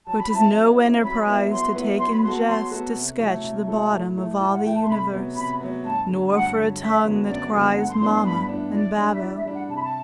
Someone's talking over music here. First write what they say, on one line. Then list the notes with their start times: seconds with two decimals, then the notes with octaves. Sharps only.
For 'tis no enterprise to take in jest, To sketch the bottom of all the universe, Nor for a tongue that cries Mamma and Babbo.
0.07 F#3 A5
0.19 B5
0.30 C4 E4 A5
0.55 F#3
0.79 C4 E4
1.02 F#3 B5
1.27 B3 E4 B4
1.51 F#3 C6
1.75 B3 E4 B4
1.99 F#3 C6
2.12 B5
2.23 B3 F#4 A4 C6
2.47 F#3 C6
2.71 B3 F#4 A4
2.95 C3
3.19 F#3 A3 E4 A4
3.44 C3
3.67 F#3 A3 E4 A4
3.92 A2
4.16 E3 A3
4.40 A2 A5
4.52 F#5
4.64 E3 A3 G5
4.75 A5
4.83 C6
4.88 C3 B5
5.12 F#3 B3
5.36 C3 B5
5.60 F#3 B3
5.84 G2 A5
6.09 D3 F#3
6.32 G2 F#5
6.56 D3 F#3
6.80 F#2 E5
7.04 D3 F#3 B3 F#4
7.28 F#2 D5
7.52 D3 F#3 B3 F#4
7.77 G2 F#5
7.89 C6
8.00 E3 B3 D4 C6
8.13 C6
8.25 G2 B5
8.49 E3 B3 D4
8.72 E3 D5
8.97 G3 D4
9.14 E5
9.21 E3 D5
9.37 E5
9.45 G3 D4
9.54 F#5
9.69 C3 A5
9.76 B5
9.83 A5